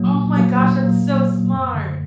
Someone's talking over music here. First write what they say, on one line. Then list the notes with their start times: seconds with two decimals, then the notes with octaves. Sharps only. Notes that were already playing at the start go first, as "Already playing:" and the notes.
Oh my gosh. That's so smart.
Already playing: A#2 F#3 A#3
0.14 A#2
0.36 F#3 A#3
0.61 A#2
0.83 F#3 A#3
1.06 A#2
1.30 F#3 A#3
1.52 F#2
1.75 D3 A3